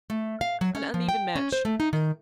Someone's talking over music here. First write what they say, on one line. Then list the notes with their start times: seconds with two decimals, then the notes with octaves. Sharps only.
An uneven match.
0.10 A3
0.41 F5
0.61 F#3
0.75 C#4
0.94 F3
1.09 G5
1.36 C#4
1.52 C5
1.65 A3
1.80 D#4
1.93 D#3